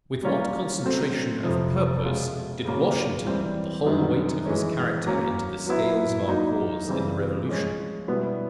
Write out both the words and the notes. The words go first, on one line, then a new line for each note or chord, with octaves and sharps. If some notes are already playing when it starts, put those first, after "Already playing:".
With what concentration of purpose did Washington put the whole weight of his character into the scales of our cause in the Revolution!
G3 A#3 C#4 F4
F#3 A3 C4
F2 C3 F3
B2 G#3 C#4 F4
C#3 F#3 A#3 C#4
E3 G3 C4
F#2 D#3 G3 B3
E3 G#3 C#4
F#3 A#3 C#4
F#3 B3 E4
F#3 A#3 D#4
C#3 E3 G3 C4
F3 G#3 C#4
B2 G3 B3 E4